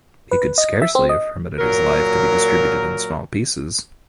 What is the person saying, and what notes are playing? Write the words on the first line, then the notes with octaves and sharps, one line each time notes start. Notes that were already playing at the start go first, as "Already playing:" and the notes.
He could scarcely have permitted his life to be distributed in small pieces.
B4
D#5
E5
C4
D#5
A#2 F#3 A#4